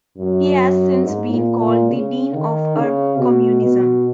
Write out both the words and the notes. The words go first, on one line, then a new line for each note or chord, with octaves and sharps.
He has since been called the dean of Arab communism.
F#2
G#2
A#2
A#2
C#3
D#3
C#3
B2
B2